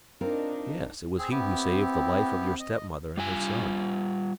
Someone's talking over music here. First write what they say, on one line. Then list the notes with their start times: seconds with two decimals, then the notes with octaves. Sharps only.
"Yes; it was he who saved the life of your step-mother and her son."
0.21 C4 D4 D#4 F4 A#4
1.18 C4 G#4
1.31 B3 C4 E4 G4
2.60 D#5
3.17 G3 F4 G#5